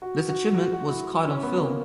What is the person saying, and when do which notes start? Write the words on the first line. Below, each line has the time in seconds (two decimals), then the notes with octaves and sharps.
This achievement was caught on film.
0.02 F#4
0.29 F#4
0.55 F#4
0.73 F#4
0.90 E4
1.26 C#4
1.43 B3
1.61 A#3